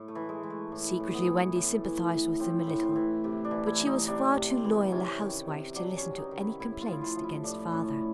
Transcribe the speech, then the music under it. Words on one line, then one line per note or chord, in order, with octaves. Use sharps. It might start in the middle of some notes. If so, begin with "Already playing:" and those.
Secretly Wendy sympathised with them a little, but she was far too loyal a housewife to listen to any complaints against father.
Already playing: A2
A3
E3
G#3
E3
A3
A2
A2
B3
E3
A2
E3
E3
A2 C4
A2
C4
E3
C3
D4
E3
E4
E3
D#4
C3 D4
C3
C4
E3
C3 C#4
D#3
C3
F#3 D4
C#4
C3
D#4
D#3
E4
A2 E4
F4
F3 E4
F4
F3
E4
A2 D4
A2 C#4